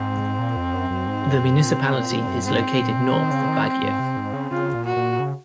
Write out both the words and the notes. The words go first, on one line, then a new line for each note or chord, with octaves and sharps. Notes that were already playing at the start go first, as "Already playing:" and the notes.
The municipality is located north of Baguio.
Already playing: G#2 C4
A#2
F2
F#2
F#2
G#2
F#2
F#2
A#2
C3
A#2
A#2
F#2
G#2 C4
A#2
C3
D#3
C#3
D#3
G#2
C3
G#2
C#3
C#3 F4
A#2
F#4
A#2
C#3